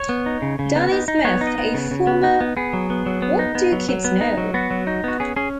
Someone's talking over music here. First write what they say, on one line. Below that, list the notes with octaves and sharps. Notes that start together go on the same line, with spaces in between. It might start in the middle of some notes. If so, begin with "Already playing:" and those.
Donnie Smith, a former What Do Kids Know?
Already playing: C#5
B3
D#4
C#3
C#3
B3
D#4
D#4
B3 C#5
D#4
D#5
B3
C#3
C#3
B3
D#4
B3
B3 G#4
F#3
B3
F#3
B3
D#4
B3
F#3
F#3
B3
D#4
F#3
B3 F#4
F#3
D#4
B3 F#4
C#4 G#4
C#4 G#4